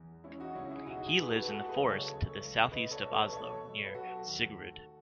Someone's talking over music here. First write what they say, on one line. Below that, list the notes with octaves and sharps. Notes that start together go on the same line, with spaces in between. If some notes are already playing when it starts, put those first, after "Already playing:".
He lives in the forests to the southeast of Oslo, near Siggerud.
Already playing: E2
G#3 C#4 E4
D#4 F#4
C#2 C#4 E4
E4 G#4
B2 D#4 F#4
E4 G#4
B2 B4
F#4 A4
B4
G#3 F#4 A4
G#4 B4
C#2
A4 C#5
A3
C#2
B2 B4 D#5
A4 C#5
B2
A4 C#5
B4
B2 A4 C#5
B2
B4
F#3 F#4 A4
D#2
A3